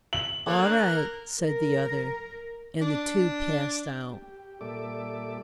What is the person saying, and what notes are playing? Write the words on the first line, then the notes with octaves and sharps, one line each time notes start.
"All right," said the other, and the two passed out.
F#7
A#3 A4 C#5 F#6
D4
A#4
A#4
D4
G4
A#2 G3 A4 D5 E5 D6